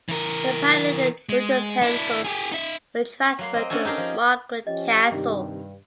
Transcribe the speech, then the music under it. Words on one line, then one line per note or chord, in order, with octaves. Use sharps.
The paneling and utensils were transferred to Marquette Castle.
E3 A#4
G#3
D4 E4
G4 G#4
D#4 E5
F#3 A#3 C6
C4 D#5
C#4 D4 F#4 A4 G#5
D#4 G4 G#4 A#4
F3
F3 C#4 G4 D#5
G2 C3 D#3